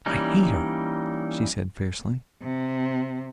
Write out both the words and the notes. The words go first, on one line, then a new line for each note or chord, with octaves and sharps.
"I hate her," she said fiercely.
E3 G3 A#3 C#4 D#4
C3